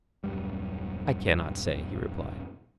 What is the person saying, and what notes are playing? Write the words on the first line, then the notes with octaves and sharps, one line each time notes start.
I cannot say, he replied.
D#1 F#2 G3